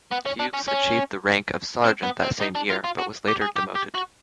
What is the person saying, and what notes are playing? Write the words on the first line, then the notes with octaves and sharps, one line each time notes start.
Hughes achieved the rank of sergeant that same year, but was later demoted.
B3
C#4
D4
C#4
C#4
C4
B3
C4
D#4
D4
F4
F4
F#4
G4
G#4
G4
G4
F#4